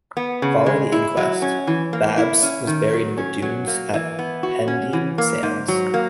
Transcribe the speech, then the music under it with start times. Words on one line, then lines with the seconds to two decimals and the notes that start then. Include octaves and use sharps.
Following the inquest, "Babs" was buried in the dunes at Pendine Sands.
0.17 B3
0.42 C#3
0.66 G#3
0.92 E4
1.17 F#3
1.42 C#4
1.67 E3
1.93 A#3
2.17 E4
2.43 C#4
2.67 D#3
2.93 F#3
3.18 C#4
3.42 F#3
3.67 A#3
3.94 E3
4.19 B3
4.43 F#4
4.68 C#4
4.93 E3
5.18 A#3
5.43 G#2
5.68 F#3
5.94 A#3